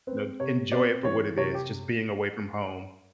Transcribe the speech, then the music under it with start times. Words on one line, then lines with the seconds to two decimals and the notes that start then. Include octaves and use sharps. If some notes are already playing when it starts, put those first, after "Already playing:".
You know, enjoy it for what it is, just being away from home.
0.07 C4 B4
0.40 C3 C#5
0.72 C4 D5
1.04 E3 C#5
1.37 C3 C#5
1.55 G4